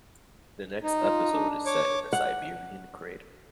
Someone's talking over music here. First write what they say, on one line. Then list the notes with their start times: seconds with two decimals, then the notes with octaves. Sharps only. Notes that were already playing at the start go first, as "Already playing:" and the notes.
The next episode is set in a Siberian crater.
0.83 D#4
0.99 F4
1.32 D4
1.66 C#5 D6
2.13 F#5